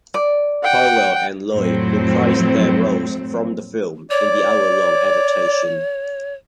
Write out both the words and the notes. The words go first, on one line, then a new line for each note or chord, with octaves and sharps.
Powell and Loy reprised their roles from the film in the hour-long adaptation.
D5
F#5 G5
F2 A2 F#3 C4
C#5 D5